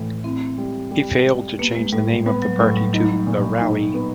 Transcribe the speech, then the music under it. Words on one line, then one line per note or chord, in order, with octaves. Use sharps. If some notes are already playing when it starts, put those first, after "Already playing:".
He failed to change the name of the party to "The Rally".
Already playing: A2 E3
C4 E4
G3
G3
G3
A#3 B3
G#3
A2 G3
G3 B3
F#3
A2 F#3
G3
F#3 D#4
A#2
D#4
B3